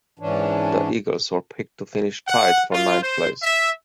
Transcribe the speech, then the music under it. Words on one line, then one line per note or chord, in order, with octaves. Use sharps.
The Eagles were picked to finish tied for ninth place.
G#2 E3 C#4 D4
F#5
F4
C5
E5